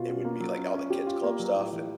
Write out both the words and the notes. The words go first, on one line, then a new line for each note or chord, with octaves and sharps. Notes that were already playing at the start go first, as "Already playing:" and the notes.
it would be, like, all the kids club stuff and,
Already playing: B2 F4 F#4
C#4
A#3
F#3
C#4
C#4
C#4 G4
F4
A#3
F#3
A2
E3